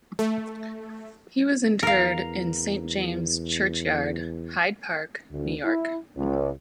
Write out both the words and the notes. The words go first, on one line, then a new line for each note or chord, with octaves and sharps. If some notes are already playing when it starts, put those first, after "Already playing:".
He was interred in Saint James Churchyard, Hyde Park, New York.
A3
E2 A#4 F5
D2
E4
C#2